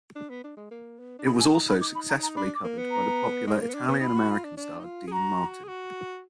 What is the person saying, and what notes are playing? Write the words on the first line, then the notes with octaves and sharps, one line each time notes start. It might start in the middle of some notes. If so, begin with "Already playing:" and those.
It was also successfully covered by the popular Italian-American star Dean Martin.
D4
B3
D4
G#3
A#3
B3
D4
D#4 B5
G#5
A#5
B5
D6
B5
A#5
A#5
D4 B5
D6
A#3
B3
A#5
G#3
A#3
B3
D4
B3
D#4 B5
F4
F#4
F4
D4
D4
D#4
F4
G#4
F#4 A#5
G#4
F#4